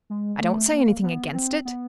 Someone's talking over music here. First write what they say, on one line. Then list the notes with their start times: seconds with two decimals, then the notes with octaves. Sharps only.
I don't say anything against it.
0.10 G#3
0.41 A3
0.72 A#3
1.03 B3
1.34 C4
1.65 B3